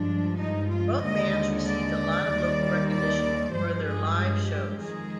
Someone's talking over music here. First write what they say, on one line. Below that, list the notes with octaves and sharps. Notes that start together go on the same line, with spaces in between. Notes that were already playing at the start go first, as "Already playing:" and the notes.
Both bands received a lot of local recognition for their live shows.
Already playing: G2 F3 G#3 D4
D#4
F4
D#2 D3 G#3 D#5
D5
D#2 D#3 G3
D5
G2 F3 G#3 C5
G#4
G#4
G4
F2 D#3 G#3 G#4